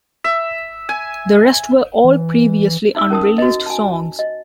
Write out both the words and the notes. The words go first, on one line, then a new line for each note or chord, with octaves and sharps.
The rest were all previously unreleased songs.
E5
G#5
E3
D#4 E5 E6
C#4 A#4 A5 D#6
F#4 D#5
G#5 A5
D#5